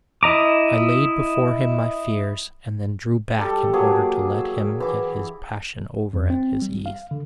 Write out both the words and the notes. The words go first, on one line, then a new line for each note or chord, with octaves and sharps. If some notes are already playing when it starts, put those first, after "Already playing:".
I laid before him my fears, and then drew back in order to let him get his passion over at his ease.
E4 D#5 A#5 D6
G3 A4
F#3 A#3 G#4 D6
E5
E3 D6
F2
C4
G3
F5
D3